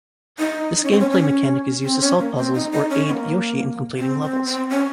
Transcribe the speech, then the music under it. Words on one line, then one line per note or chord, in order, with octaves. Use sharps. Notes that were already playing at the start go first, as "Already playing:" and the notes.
This gameplay mechanic is used to solve puzzles or aid Yoshi in completing levels.
D#4
D#4
C#4
C4
C#4
C#4
C4
C#4
A#3
C4
D#4
D#4
C#4
C4
A#3
C4
C4
C4
C#4